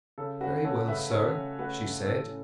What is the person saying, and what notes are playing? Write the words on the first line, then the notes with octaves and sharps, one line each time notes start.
"Very well, sir!" she said.
C#3 A4
C#4 F#4 B4
A3 A4 C#5
C#3 B4 E5
C#3 A4 C#5
C#4
A3 F#4 B4
C#3
A2 A4
C#4